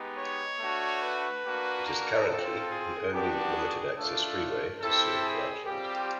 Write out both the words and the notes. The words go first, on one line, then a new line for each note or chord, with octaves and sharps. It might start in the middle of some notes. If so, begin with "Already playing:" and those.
It is currently the only limited-access freeway to serve Rutland.
Already playing: G#3 B3 D#4 G4
C#5
A3 D4 F#4
B4
A#3 D4 F#4
A#4
C4 F4 A4
G#4
B3 D4 F#4 G4
G#4
A3 D4 F4 A4
C4 E4 G4 A4
G#4
G3 C4 F4 G4